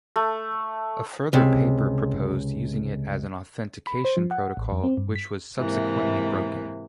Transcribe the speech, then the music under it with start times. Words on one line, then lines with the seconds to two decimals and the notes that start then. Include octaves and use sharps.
A further paper proposed using it as an authentication protocol, which was subsequently broken.
0.16 A3
1.33 C#2 C3
3.87 B5
4.05 C5
4.17 F3
4.31 F#5
4.57 A1
4.72 F2
4.83 C4
4.97 G2
5.16 B6
5.59 G#2 C3 E3 A#3